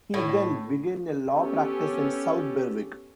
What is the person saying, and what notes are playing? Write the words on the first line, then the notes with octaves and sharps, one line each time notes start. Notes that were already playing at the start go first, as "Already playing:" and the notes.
He then began a law practice in South Berwick.
A2
B3 C#4 G4 A4